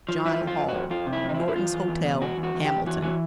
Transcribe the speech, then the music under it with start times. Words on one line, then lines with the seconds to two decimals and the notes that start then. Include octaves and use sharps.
JOHN HALL, Norton's Hotel, Hamilton.
0.09 F3
0.25 F3 E4
0.41 F2
0.47 F4
0.58 F2
0.69 F#4
0.74 F2
0.90 F2 F4
1.07 C3
1.13 E4
1.24 F2
1.29 D#4
1.34 E4
1.40 F3
1.48 E4
1.56 E2 F4
1.72 E2
1.88 E2
2.05 B2
2.21 E2 F#4
2.38 E2
2.43 F#4
2.54 E2
2.65 G4
2.71 E2
2.86 E3 F#4
3.02 E3 F#4